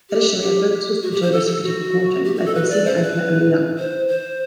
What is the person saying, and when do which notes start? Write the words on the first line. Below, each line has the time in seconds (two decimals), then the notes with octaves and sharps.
Additionally, a focus was put on investigative reporting, led by Senior Anchor Emily Lampa.
0.10 G4
0.41 G4
1.02 F#4
1.11 G4
1.22 C5
1.32 A4
1.47 A4
1.63 F#4
2.24 G4
2.35 F#4
2.45 A4
2.55 B4
2.70 D5
2.85 C5
2.96 C5
3.02 B4
3.78 C5
4.08 C5